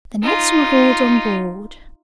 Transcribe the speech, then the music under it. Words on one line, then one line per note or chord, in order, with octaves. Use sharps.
The nets were hauled on board.
D#4 F4